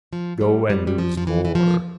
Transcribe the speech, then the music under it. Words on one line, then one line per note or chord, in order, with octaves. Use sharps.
Go and lose more.
F3
G3
G3
G3
F3
F3
E3
E3
F3